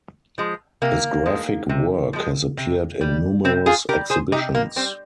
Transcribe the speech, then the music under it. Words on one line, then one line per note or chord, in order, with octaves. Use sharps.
His graphic work has appeared in numerous exhibitions.
F3 G#3
C3 A#3
F3 G#3
C3
F3 G#3
C3
G3
C3 C4
F4 G#4
G3 G4 A#4
G#4 C5
C3 D#4 G4
A#3
G3 C4